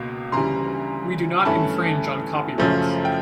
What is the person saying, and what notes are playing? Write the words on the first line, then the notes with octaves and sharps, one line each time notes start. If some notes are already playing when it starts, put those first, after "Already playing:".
We do not infringe on copyrights.
Already playing: C#2 B2 A#3
D2 C#3 E3 G3 A#5 C6
G2 E3 A3 C#4 A5 B5
F#2 C#3 F3 A3 C#4
G5